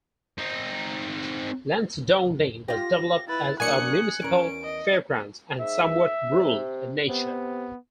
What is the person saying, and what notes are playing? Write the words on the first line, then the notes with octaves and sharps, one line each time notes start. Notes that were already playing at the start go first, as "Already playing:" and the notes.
Lansdowne was developed as a municipal fairgrounds, and somewhat rural in nature.
C4 D#4
F4 G4 A#6
E4 B4 A6
F#3 A#3 D4 G#5 D#6 F#6 C#7
E2 C#4 A#4 D7
D#5
G#2 E5
C3
C3 B3